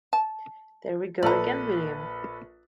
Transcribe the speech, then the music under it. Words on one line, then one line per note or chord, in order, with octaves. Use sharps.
There we go again, William!
A5
A#1 A4 B4 D5 A#5